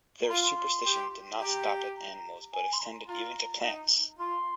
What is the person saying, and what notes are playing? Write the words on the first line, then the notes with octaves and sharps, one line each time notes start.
Their superstition did not stop at animals but extended even to plants.
A#5
F4 C6
G4
G4 A#5
A#5
G#5
C6
A#5
F4 A#5
D#4
F4 C6